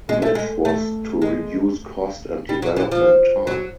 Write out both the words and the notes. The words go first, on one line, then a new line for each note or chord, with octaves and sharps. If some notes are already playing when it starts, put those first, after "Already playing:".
This was to reduce cost and development time.
G#3
A3
G#3
A3
G#3
G3
F#3
E3
F3
F#3